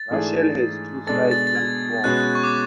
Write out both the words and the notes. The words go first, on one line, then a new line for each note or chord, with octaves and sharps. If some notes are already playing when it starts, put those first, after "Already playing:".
Rushall has two side platforms.
Already playing: A6
G#2 E3 A3 D4 G#4
B2 G#3 D4 A4 A6
A6
A6
G#6
B2 G#3 C#4 F#4 B4 F#6
C#6
D6